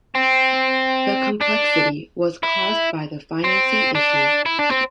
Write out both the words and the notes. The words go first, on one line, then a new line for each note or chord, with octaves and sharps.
The complexity was caused by the financing issue.
C4
D4
E4
C4
D4
E4
D4
C4